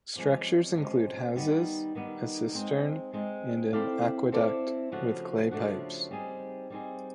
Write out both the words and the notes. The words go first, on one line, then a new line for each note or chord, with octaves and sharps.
Structures include houses, a cistern and an aqueduct with clay pipes.
C3 F3 G#3 C#4
C3 F3 G#3 C#4
D#3 G3 B3 D#4
D#3 G3 B3 D#4
G#3 C4 D#4
G#3 C4 D#4
C4 E4 A4 D5 F5
C4 E4 A4 D5 F5
C#3 F3 A3 D4 F#4
C#3 F3 A3 D4 F#4
G3 C4 D#4 G#4
G3 C4 D#4 G#4